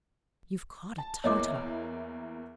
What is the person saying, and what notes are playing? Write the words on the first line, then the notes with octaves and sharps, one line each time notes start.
'You've caught a Tartar.'
A5
E2 A#3 E4 C#5 D#5 D6